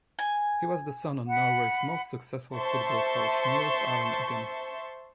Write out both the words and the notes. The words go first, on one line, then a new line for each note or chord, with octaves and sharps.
He was the son of Norway's most successful football coach, Nils Arne Eggen.
G#5
F#5 B5
C5 E5 A5 C6 C#6